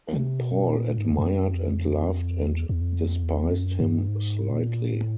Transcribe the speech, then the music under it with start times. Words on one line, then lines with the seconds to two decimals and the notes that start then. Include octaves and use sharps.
And Paul admired and loved and despised him slightly.
0.13 C3
0.41 B2
0.69 A#2
0.98 G#2
1.11 E2
1.18 F2
1.26 F#2
1.54 F2
2.38 E2
2.69 E2
2.81 F2
3.23 E2
3.51 F#2
3.80 G2
4.08 G#2
4.50 A#2
4.92 A2